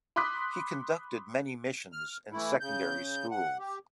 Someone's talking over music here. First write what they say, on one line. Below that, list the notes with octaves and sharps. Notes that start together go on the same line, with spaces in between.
He conducted many missions in secondary schools.
B5 C6 D6 D#6 F#6 B6
F6
E3 A3 E4
C#3 G6
F#5
G4